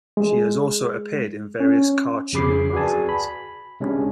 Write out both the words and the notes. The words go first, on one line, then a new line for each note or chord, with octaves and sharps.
She has also appeared in various car tuning magazines.
G#3
C#4
F2 C#3 G#4 B5 D6 C7
F#4 G#4 B4 D5 G#5 A5
B5
C3 G#3 C#4 D4